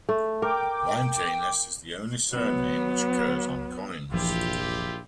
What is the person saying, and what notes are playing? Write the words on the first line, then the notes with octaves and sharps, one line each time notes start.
"Limetanus" is the only surname which occurs on coins.
A3
A#4 G5 D6
F#3 B3
F1 A#1 E3 F3 E4 F4 G4